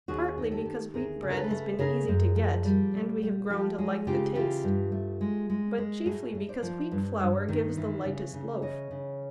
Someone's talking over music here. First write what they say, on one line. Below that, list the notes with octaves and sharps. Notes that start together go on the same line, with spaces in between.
Partly because wheat bread has been easy to get and we have grown to like the taste, but chiefly because wheat flour gives the lightest loaf.
D#2 F#4 G#4
D#3
G4 A4
D#3
D2 G#4 A#4
C#3
A#4
A4 B4
A3
C#3 G#4 A#4
F#2
F3
G3
A#2
G3
F3 G4 A4
G#3 F#4 G#4
C#3 F4 G4
E3 F4 G4
G2
A3
G#3
G#3
G#3
A2 F#4 G#4
A2
C5 D5
F3
G2
G2
D#3
E3
C#3
C#3
E3 C#5 D#5
C#3